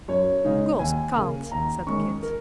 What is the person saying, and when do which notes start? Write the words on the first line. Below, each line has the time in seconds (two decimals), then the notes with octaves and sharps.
"Girls can't," said Kit.
0.08 F#2 C#5
0.44 C#3 G#3 D#4
0.79 D#2 G#5
1.16 C#3 A#3 C#4
1.51 D#2 A#5
1.87 D#3 G#3 C#4 C#6
2.23 A#4